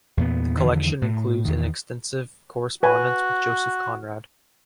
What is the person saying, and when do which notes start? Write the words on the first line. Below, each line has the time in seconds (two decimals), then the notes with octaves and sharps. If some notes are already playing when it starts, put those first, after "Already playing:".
The collection includes an extensive correspondence with Joseph Conrad.
0.17 E2 A#2 B3
0.59 E2 D3 D#3 F3
1.02 A2
1.45 E2 D#3
2.83 F#4 B4 G#5